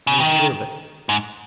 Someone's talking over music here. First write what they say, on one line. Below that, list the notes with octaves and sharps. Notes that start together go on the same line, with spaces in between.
I was sure of it.
C#3
D#3
G#2